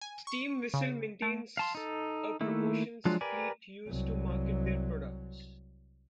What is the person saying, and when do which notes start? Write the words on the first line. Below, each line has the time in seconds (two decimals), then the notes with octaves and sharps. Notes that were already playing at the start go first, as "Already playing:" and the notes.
Steam Whistle maintains a promotions fleet used to market their products.
0.01 G#5
0.27 C#6
0.74 C#3
1.22 A3
1.57 F5 A5 C6
1.75 D#4 A4
2.41 D#3 A3 A#3 E4
3.05 F3 F#3 G#3 D4 F4
3.21 G4 A#4 B4 D5 G#5
3.87 C2 F#3